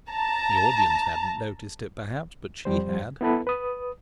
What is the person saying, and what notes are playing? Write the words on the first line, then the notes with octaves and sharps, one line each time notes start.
The audience hadn't noticed it, perhaps, but she had.
A5 A#5
F2 G3 C5
B3 E4 A4 B4
B4 D#6